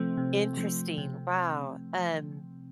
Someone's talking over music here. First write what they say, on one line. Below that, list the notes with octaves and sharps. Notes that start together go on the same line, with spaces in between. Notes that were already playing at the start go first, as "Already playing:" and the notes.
Interesting. Wow, um
Already playing: C3 F3 A3 C4
C3
F3 A3 C4
C3